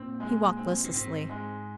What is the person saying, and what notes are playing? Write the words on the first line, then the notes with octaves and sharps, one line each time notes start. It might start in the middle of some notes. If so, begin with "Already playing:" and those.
He walked listlessly.
Already playing: A#2 C4
G#3
C4
A#2
G#2 C4
G#3